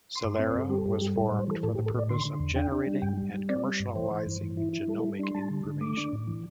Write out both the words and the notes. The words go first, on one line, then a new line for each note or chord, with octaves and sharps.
Celera was formed for the purpose of generating and commercializing genomic information.
C6
G2 D6
C6
C4
C5
G2 A4
G3 G4
A4
G2 G4
A4
G3 G4
A2 A4
C5
G3
C5
E3 A4
A2 A4
G4
A2
A4
A2 D5
D3 C6
D3
E2
D4 G5
D4
G3
G2 G5
G3
G3
C4 D5
G3
G2
E3 C5
E3
G2
E3
E4
E4
G3 A4
A4
G3
D4 C6
G3 A5
D3
D3
A3 D6
D4
A2
E3